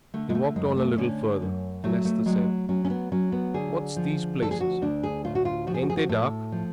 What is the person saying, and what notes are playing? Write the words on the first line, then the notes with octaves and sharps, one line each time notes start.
They walked on a little further, and Esther said, "What's these places? Ain't they dark?"
D3 A3
G#3
A3
F#2 G#3
A3
D3 C#4
F#2
F#3 A3
A3
F#3 G#3
F#3 C#4
C#4
B3
F#3 C#4
B3
D3 G#4
F3
D2 A4
G#4
F#4
D2 D4
G#4
A2 F4
F#4
F4
F3 F#4
G#4
F#4
G#4
F#4
A2 A4
F3